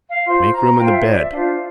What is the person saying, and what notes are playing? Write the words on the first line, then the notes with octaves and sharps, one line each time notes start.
Make room in the bed.
F5
F4 C5 C6
A#5
F4 C5 G5
E5
D5
E5
D4 F4 C5 F5